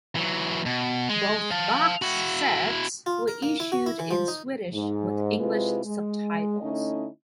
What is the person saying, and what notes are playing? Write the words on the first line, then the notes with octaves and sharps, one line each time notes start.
Both box sets were issued in Swedish with English subtitles.
E3 F#3
B2
G#3
F5 A5
E4 F#4
F4
A#4
A#3
E4
F#4
E4
E3
F3
D#4
G#2
C3 G#3 E4 F4 B4
G#3
D3 A3 C#4 D#4 E4 D#5